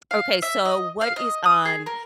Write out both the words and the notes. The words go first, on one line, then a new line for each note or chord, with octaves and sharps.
Okay, so what is on
F5
E5
D#5
F5
D#5
D#6
G#4
A#4